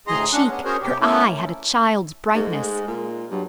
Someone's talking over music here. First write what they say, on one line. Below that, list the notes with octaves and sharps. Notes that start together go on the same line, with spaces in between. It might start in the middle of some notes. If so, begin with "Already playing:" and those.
Her cheek, her eye had a child's brightness.
D2 A2 G#4 D#5 A#5 C6
C#4 D4 F#5
B3 C#4
C#4 F#4 G#4 A#4 C5 C#5
C3 G4
A3 A#3 C#4 E4 A4
G#2 A3
G#3
A#2
G2 F#3